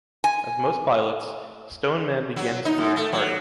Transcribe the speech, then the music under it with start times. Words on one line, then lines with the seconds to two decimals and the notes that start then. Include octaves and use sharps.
As most pilots, Stoneman began his career in karting.
0.24 G#5
2.36 F#3
2.65 D#4
2.78 F#2
2.96 A3
3.12 F#3